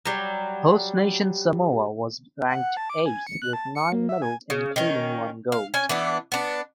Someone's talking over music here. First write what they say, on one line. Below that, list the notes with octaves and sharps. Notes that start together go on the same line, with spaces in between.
Host nation Samoa was ranked eighth with nine medals including one gold.
F#3 G3
F#5
A5
D6
G#5
C#7
F#6
A5
C#7
A#3
E5
G#5
C#3
D#3 C#4
F5
C#4 G#5
E3 B3 D4
B3 D4